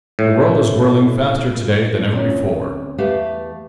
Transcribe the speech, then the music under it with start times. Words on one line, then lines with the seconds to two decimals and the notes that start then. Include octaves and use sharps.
The world is whirling faster to-day than ever before.
0.19 A2
2.12 D2 C4 C#4
2.98 E2 A3 G4 B4 F5